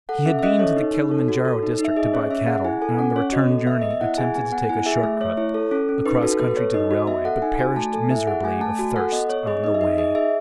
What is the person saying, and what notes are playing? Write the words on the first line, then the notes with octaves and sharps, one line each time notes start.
He had been to the Kilima N'jaro district to buy cattle, and on the return journey attempted to take a short cut across country to the railway, but perished miserably of thirst on the way.
A4 F#5
C#4 E5
E5
C#4 D#5
A4 C#5
D#4
D#4
A4
F#4
A4
D#4
D#4
E5
G#4 D#5
C#4 C#5
C#4 E5
G#4 F#5
E4 G#5
A4 G#5
C#4 F#5
C#4 C#5
F#4 D#5
A4
B3 E5
B3 D#5
E5
E4 F#5
G#4 G#5
B3 G#5
B3 F#5
E4 G#5
G#4 E5
A3 E5
A3 C#5
E4 C#5
A4
C#4 A4
C#4
D#4 B4
F#4 A4
B3 B4
A4 C#5
D#4 D#5
F#4 D#5
B3 E5
A4 F#5
D#4 G#5
F#4 G#5
A3 A5
A4 G#5
E4 E5
G#4 F#5
A3 G#5
A3 A5
F#4 G#5
A4 F#5
B3 D#5
B3 C#5
G#4 D#5
D#4 D#5
E5
D#4 D#5
G#4 D#5
G#4 E5